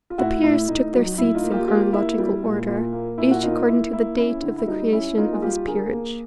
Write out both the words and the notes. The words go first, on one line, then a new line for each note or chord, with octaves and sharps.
The peers took their seats in chronological order, each according to the date of the creation of his peerage.
F4
A2 E4 F#4
A2 E4
A2 D#4
F#3
A2 E4
D#4 F4
A#3
F4 G4
A#3 F4 G4
A#3 E4
G3
A#2
A#2
A#3
A#2 E4
F#4
A#3 D#4 F4
A#3 E4
A#3 E4
C#4 E4
D3
E4
G3 D#4
C#4 E4
A#3 D#4 F4
G#4
G3 F4 G4
D3 G#4 A#4
A#3